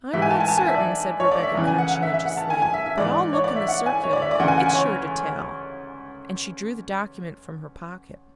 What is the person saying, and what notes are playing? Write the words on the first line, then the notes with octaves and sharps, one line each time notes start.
"I'm not certain," said Rebecca conscientiously, "but I'll look in the circular--it's sure to tell;" and she drew the document from her pocket.
G#2 E3 E5
G#5
A5
G#5
A5
G#5
E5
D5
C#5
D5
E5
E2 C#3 E3
G#5
F#5
F#5
E5
E5
F#5
A5
G#5
G#5
E5
E5
G#2 E3 D5
C#5
D5
E5
F#5
G#5
C#5
D5
E5
D5
D2 C#3 E3 F#5
G#5
F#5
G#5
C#5